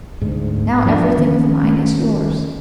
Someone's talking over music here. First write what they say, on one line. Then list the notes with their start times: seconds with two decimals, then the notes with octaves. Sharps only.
Now everything of mine is yours.
0.21 D2 G#2
0.85 E2 F3 G3 D4
1.18 D#3 C#4